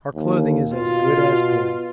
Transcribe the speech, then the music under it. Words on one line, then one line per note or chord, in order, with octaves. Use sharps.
'Our clothing is as good as good.
D#2
B2 F4